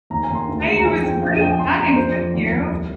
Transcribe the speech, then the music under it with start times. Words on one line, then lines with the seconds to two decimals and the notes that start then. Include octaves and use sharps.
Hey, it was great chatting with you.
0.10 D#2 A#5
0.23 G#5
0.29 D#2
0.35 C6
0.48 D2
0.66 G#3
0.76 A#5
0.85 F2 G#5
1.04 F2 G5
1.22 A#1 F5
1.31 D#5
1.41 A#1 G5
1.51 G#5
1.59 A#1 C6
1.77 A#1 A#5
1.89 D5
1.96 F2 C5
2.15 F2 D5
2.34 D#2
2.52 D#2
2.71 C2